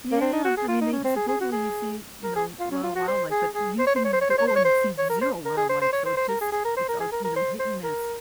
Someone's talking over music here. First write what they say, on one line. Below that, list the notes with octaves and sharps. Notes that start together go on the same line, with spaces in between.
Yeah. I mean, they supposedly, you see, you know, a lot of wildlife, but you can go and see zero wildlife, so just it's, uh, you know, hit and miss.
A#3
C4
D#4
F#4
G#4
F4
D#4
C#4
C4
G#4
G#4
F#4
G#4
A#4
G#4
F4
C#4
F4
F#4
C5
G#4
G#4
C5
C#5
C5
C#5
C5
C#5
C5
C#5
C5
C#5
C5
C#5
A#4
C5
A#4
G#4
C5
C5
C#5
C5
C5
A#4
G#4
G#4
A#4
C5
A#4
G#4
A#4
A#4
C5
C5
A#4